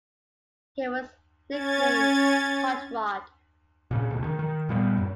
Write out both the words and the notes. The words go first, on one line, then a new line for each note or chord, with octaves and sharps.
He was nicknamed Hot Rod.
C#4 G#6 A6
A#2 C#3
D2 B2
D#3
D#3
A#2 G3 G#3 B3
F#2